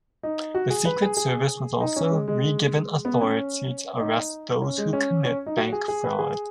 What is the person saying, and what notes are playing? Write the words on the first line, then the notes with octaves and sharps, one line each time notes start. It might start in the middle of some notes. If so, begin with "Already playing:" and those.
The Secret Service was also regiven authority to arrest those who commit bank fraud.
D#4
F#4
G#4
B4
G#4
G#4
D#4
C#4
G#3
G#3
B3
C#4
D#4
C#4
G#3
C#4
C#4
D#4
F#4
G#4
G#4
B4
G#4